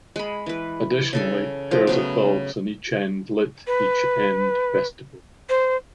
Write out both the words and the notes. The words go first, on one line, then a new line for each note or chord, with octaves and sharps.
Additionally, pairs of bulbs on each end lit each end vestibule.
G#3 B5
E3 B4
C#3 A4 G#5
F3 G5
C#3 F#3 A3 B3
B4
C5